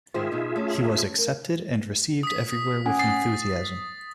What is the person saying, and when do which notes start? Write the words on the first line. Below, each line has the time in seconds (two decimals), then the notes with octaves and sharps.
He was accepted and received everywhere with enthusiasm.
0.14 G#2 D#3 F4 G#4 C5 E5
0.32 B2 D#4
0.56 A3 C#4
1.19 A#4
2.23 D#6 B6
2.86 C#4 F#5 G#5
2.99 D#6 A6 C7